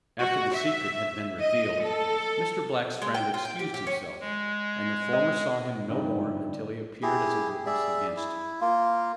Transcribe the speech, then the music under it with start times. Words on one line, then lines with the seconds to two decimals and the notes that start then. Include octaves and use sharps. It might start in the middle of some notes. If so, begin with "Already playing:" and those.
After the secret had been revealed, Mr. Black's friend excused himself, and the former saw him no more until he appeared as a witness against him.
0.20 F#4
0.54 E5
1.40 D#5
1.83 A4
3.02 G#3
3.14 G5
3.34 F4
3.45 G5
3.59 G4
3.74 G4
3.87 C#4
4.21 G#3
5.13 D#5
5.89 G2 D3 F3 D#4 E4
7.02 E4 G4 G#4
7.66 G#4 D5 E5
8.17 E4
8.61 A#3 F4